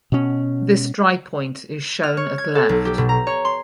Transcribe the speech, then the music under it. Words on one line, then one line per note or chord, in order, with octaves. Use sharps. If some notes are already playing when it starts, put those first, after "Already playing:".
This drypoint is shown at left.
B2 C#4
F6
C#5
G#6
A4
B1
G4
B2
A#5
C#5
C6